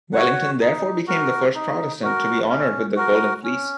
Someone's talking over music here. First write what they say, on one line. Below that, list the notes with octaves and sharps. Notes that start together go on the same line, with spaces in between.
Wellington therefore became the first Protestant to be honoured with the Golden Fleece.
F#4 C#5 F#5
D#4
F#4 A#4
D#4
F#4 A#4
C#4
F#4 A#4
C#4